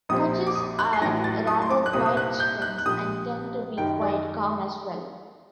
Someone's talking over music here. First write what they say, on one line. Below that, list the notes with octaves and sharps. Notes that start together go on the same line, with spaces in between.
Cochins are rather quiet chickens, and tend to be quite calm as well.
A#1 A#2 G3 C4 D#6
D6
D#6
F#6
C7
A1 A2 F#3 A#6
A6
D#6
C6
D6
F#6
C2 A#2 G3 C4 D#6
D#6
F#6
G6
F#6
F#6
A#1 A#2 G3 D#6
F#2 D#3 G3 G5
D5
D#5